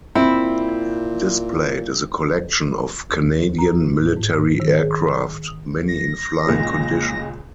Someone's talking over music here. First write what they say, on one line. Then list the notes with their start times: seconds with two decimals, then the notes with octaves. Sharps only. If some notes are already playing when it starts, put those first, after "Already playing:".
Displayed is a collection of Canadian military aircraft, many in flying condition.
0.15 A#2 C4 E4
3.10 D#2
3.58 A#5
3.98 A2
4.17 G#2
4.60 D#3
4.79 G#4
5.47 D#6
5.88 A#6
6.47 C#2 A#2 G#3